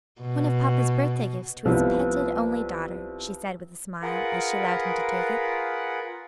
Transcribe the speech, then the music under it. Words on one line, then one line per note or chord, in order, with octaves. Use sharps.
"One of papa's birthday gifts to his petted only daughter," she said, with a smile, as she allowed him to take it.
B2
C2 F3 B3
F4 G#4 A#4 B4 F#5